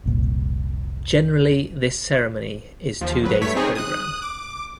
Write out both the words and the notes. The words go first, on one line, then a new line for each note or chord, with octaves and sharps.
Generally this ceremony is two days programme.
F1 C2 A#2
D#2 F3
G#1 F#3 B4
G2 A3 C#5 B6
C4 D#4 G#4 C#5
D#6 F#6
D6